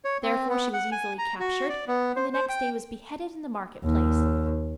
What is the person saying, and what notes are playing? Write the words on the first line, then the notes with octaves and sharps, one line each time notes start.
Therefore she was easily captured, and the next day was beheaded in the market-place.
C#5
C4
B3
F#5
G#5
A#5
F#4
D5
B3
C5
C5
G5
D#2